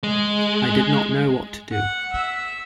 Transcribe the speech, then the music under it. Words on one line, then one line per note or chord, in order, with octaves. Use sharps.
I did not know what to do.
G#3
F#5
E5